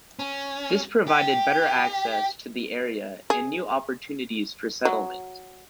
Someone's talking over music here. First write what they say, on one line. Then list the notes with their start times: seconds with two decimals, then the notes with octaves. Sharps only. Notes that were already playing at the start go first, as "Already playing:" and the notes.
This provided better access to the area and new opportunities for settlement.
0.19 C#4
1.07 G4
3.30 G#4
4.85 F#3